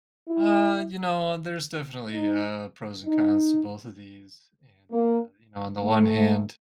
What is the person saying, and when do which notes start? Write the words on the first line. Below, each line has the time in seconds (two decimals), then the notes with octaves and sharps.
Uh, you know, there's definitely, uh, pros and cons to both of these, and, uh, you know, on the one hand,
0.28 E4
2.13 D#4
3.06 D#4
4.91 A#3
5.83 A3